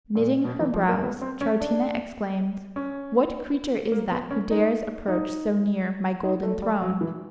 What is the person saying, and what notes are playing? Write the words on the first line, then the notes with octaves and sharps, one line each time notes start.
Knitting her brows, Troutina exclaimed, "What creature is that who dares approach so near my golden throne?"
A#2
B2
E3
F3
A#3
B3
C4
C#4
D4
C#4
A#3
B3
C#4
D#4
D#4
D#4
A3
G3
F#3
E3